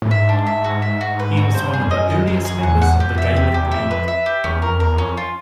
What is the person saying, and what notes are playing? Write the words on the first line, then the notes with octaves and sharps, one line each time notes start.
He was one of the earliest members of the Gaelic League.
A2
G#2 E5
D4
E5
F#4
E5
F#4
B4
F#4
G#2
G2 C5
G#4
F2
F#2 D#5
D#5
F#2 G#4
G#4
E2 F#5
F#5
F2 G4
E5
E2 G4
F2
E2 G4
F2 E5
B4
E5
G4
E2 C#4
F2 A#4
E2 A#4
E2
F2 C#4
F4